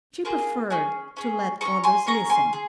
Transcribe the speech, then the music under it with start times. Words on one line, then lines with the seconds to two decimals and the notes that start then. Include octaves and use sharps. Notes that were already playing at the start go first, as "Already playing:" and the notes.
She preferred to let others listen.
0.25 A#3 F4 G#4
0.70 C#4 G#4
1.17 C#4 G#4
1.61 C#4 G#4 A#5 C#6
1.84 G#5 C6
2.07 C#4 G#4 A#5 C#6
2.30 G#5 C6
2.53 G#4